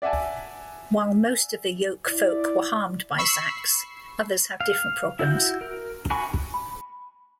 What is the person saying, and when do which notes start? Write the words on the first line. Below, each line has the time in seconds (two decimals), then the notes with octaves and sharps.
While most of the Yolkfolk were harmed by Zaks, others have different problems.
0.02 D5 E5 F#5 G#5 A5
2.06 E4 D5
3.18 B5 C#6 E6 C7
4.61 F5
5.19 E4 F#4 G6
5.61 A#4
6.10 F#4 G#5 B5 C#6
6.54 B5